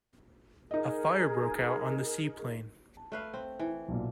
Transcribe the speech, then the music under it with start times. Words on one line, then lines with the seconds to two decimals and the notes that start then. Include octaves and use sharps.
A fire broke out on the seaplane.
0.71 D#4 G#4 A#4 D#5
2.97 A5
3.12 A3 B4 F5
3.34 C4
3.59 E3
3.88 B1 A#2